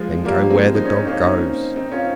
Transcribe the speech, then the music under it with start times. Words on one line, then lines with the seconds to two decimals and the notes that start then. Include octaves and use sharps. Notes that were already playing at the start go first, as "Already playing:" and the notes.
Then go where the dog goes.
Already playing: F3 G#3
0.25 G3 A#3
0.50 G#3 C4
0.75 D#4
0.85 C#4
0.97 C4
1.07 A#3 C#4
1.25 C4 D#4
1.76 C4 D#4
1.92 C#4 F4